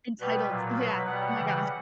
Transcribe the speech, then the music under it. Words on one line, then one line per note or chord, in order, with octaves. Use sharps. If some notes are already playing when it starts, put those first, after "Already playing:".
Entitled, yes, oh my gosh.
B2 G3 B4
A#2 F#3
B2 F#3 B4
B2 G3 F#5
C#3 E3 G3